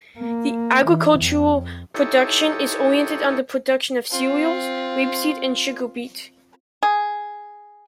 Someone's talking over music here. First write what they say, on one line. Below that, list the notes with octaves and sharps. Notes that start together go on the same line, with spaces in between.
The agricultural production is oriented on the production of cereals, rapeseed and sugar beet.
A#3
E3
F2
D#4 E4 G4 A4 C#5
C4 F4
G#4